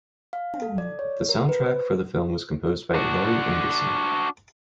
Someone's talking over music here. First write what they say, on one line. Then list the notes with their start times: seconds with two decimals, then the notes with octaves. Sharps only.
The soundtrack for the film was composed by Laurie Anderson.
0.33 F5
0.62 A4
0.78 D5
0.99 C#5
1.29 A#4
1.49 B4
1.66 C5
2.95 D4 F#4